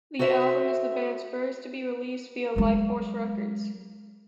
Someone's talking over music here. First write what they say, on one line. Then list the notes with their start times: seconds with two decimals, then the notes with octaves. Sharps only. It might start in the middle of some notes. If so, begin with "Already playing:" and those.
The album is the band's first to be released via Lifeforce Records.
0.19 F#4 A4 C5 E5
2.56 F#3 G#3